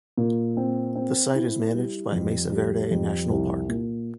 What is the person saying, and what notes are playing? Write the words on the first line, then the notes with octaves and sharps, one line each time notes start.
The site is managed by Mesa Verde National Park.
A#2
C4
C4
E4
G3
F2
G3
F2
C2
A#2